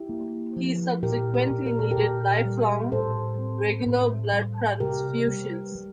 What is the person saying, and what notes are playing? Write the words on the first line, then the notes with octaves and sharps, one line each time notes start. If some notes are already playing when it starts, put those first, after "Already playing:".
He subsequently needed lifelong regular blood transfusions.
Already playing: E4 G4
A#3
F3
A#2 G4 A#4
G4 A#4
A#2
A#4
A4
G4 A#4
A#2
G3
A2 A4 C5
C4
A2
G3
C3 G4 A#4
G3
G3